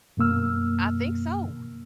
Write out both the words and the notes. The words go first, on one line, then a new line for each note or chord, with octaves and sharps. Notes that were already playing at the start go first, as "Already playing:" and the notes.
I think so.
F#2 B2 A#3 E6 F6